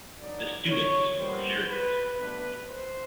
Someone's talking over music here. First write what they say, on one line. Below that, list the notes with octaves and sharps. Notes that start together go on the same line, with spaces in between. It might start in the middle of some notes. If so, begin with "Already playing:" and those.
The students were furious.
D3 F#3 B3 D#4 D5
C#5
A#2 G3 B3 C5
B4
A2 F#3 B3 D4 B4
C5